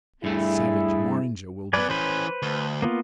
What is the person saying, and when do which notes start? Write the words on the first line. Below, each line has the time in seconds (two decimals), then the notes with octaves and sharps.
How savage Morringer will be!
0.24 G2 A3 E4 G#4
1.73 F#2 B3 B4 D5 G#5
1.90 E3 C#4 B4 C5
2.42 D2
2.82 A#3 B3 F4